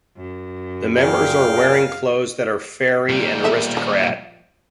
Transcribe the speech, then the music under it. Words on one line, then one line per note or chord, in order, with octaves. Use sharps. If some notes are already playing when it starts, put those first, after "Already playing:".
The members are wearing clothes that are fairy and aristocrat.
F#2
A#2 G#4 F5 G5
A#2 G3
B3 A4 E5
F3